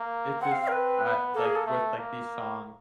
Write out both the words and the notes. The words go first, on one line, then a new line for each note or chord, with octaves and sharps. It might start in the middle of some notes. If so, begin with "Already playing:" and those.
It just I like, with, like, these songs,
Already playing: A#3
C4 F#5
F5
F5
A#4
B4
B3
A#3 A4
G#4
A4
A3
A#3